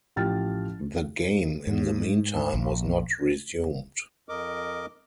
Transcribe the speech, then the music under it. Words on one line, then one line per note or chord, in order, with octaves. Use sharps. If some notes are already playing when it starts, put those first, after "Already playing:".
The game, in the meantime, was not resumed.
A1 F3 G4 G5 F6 A6
G#2
A#1
F2 A#4 D#5 D6